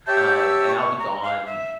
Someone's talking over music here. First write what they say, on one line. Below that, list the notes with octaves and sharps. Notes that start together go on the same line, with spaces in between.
Um, and I'll be gone
G4 C#5 E5 A5 G6
E6
C#6
A#5
F5
E5